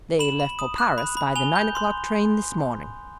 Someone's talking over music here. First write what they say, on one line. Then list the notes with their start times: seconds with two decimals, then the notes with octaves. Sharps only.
"They left for Paris by the nine o'clock train this morning."
0.19 B5 E7 F#7
0.40 B5
0.59 D#6
0.78 F#6
0.98 B5
1.17 B5
1.36 G#5 F7 G7
1.56 G6
1.75 C6